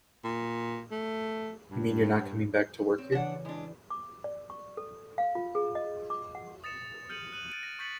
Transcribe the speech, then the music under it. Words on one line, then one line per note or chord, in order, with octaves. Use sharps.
You mean you're not coming back to work here?
A#2
A3
G2
C4 C#5
C#3 E3 D4 F#5
G#3 D4 E4
D6
D5
C#6
A4
F5
F4
G#4
D#5
D6
F#5
D#6 A6 A#6 C#7 E7
F6 G6 C#7 D#7 F#7
F#6 D#7 F#7
A6 D7 D#7
A#6
C#6 G6 A6 B6 C#7 F#7